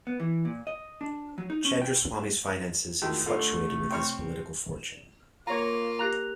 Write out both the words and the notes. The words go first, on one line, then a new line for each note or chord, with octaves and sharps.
Chandraswami's finances have fluctuated with his political fortune.
B3
E3
A#2
D#5
D4
F#3
D#4
C#4
G5
A2 D#3 G#3 F#4
D3 A3 F4 A4
C3
C4 C#5 F6
A#3 F4 C#5 A#5
G4 A#5 F#6 F7